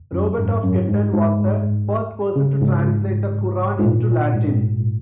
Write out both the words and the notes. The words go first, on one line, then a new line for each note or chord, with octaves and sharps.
Robert of Ketton was the first person to translate the Qur'an into Latin.
F#2
G#2
F#2
G#2
G#2
C#3
G#2
G#2
A#2
G#2